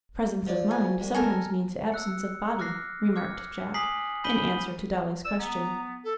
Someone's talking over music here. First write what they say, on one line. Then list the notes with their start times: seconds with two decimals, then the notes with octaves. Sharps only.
"Presence of mind sometimes means absence of body," remarked Jack, in answer to Dolly's question.
0.47 F3 D5
0.71 G#5
1.00 C2
1.15 A4 A#4 G#5
1.92 E6 F#6 C#7
2.59 D6 F6 F#6 A#6 C7
3.16 D6 F6 G#6 C#7
3.74 G#5 A#5 D#6 B6 C7 F#7
4.24 B5 G6 B6 D#7 F#7 G7
5.25 D5 E6
5.39 B3 A#5
6.04 A4